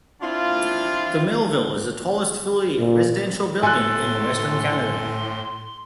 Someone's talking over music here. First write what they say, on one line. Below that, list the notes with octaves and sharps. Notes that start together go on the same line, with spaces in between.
The Melville is the tallest fully residential building in western Canada.
C4 D4 E4 F4
A#2
A2 A4 G#5 C6 F#6